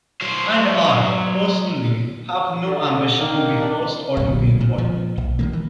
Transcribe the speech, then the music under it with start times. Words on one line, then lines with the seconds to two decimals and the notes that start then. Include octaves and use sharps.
And I, personally, have no ambition to be first or to be important.
0.21 F#3 C5
2.66 D3
3.20 D#3 A#3
3.61 D4
4.17 D1 B1
4.61 A#2
4.78 A#2 F3
5.17 B1
5.39 D#3 F#3 A#3
5.53 E3